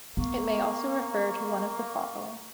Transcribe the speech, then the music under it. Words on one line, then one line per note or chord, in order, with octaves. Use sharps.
It may also refer to one of the following.
A#3 B3 F5 C#6